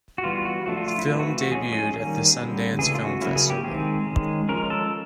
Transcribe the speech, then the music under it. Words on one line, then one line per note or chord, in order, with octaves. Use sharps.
The film debuted at the Sundance Film Festival.
F#4
E3 G3 B3 F4
F4
F#4
F3 A3 D4 F#4
F4
F4
E4
E3 A3 C4
F#4
F#4
F#4
F3 G#3 C#4 G#4
G#4
D#3 G3 A#3 C#4 G#4
D3 G3 C4
C#3 E3 A3 D4 G#4
F4
F#4
C#3 F#3 A#3 C#4 E4
G#4
G4
D#3 G#3 C4 G#4
D#3 G#3 C#4
F3 G#3 C#4 A#4
A4